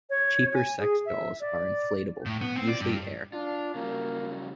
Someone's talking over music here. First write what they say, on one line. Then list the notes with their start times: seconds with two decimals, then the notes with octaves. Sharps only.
Cheaper sex dolls are inflatable, using air.
0.10 C#5
0.54 G#5
0.79 G#4
1.06 E5
1.40 D5
2.26 A2
2.42 B3
2.57 C4
2.68 D5
2.81 G2
3.33 D4 F4
3.75 C#3 F#3 G3 A#3